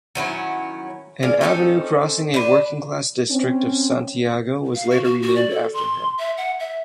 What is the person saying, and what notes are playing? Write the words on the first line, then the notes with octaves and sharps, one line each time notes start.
An avenue crossing a working class district of Santiago was later renamed after her.
D#3 F#3 C#4 E4
G#3 D5 F5
C4 C#4 D#4 A4
D4 B4
C4 C#4
F5
F#4
F#4
F#4
D5
A4
C6
E5
F#5
E5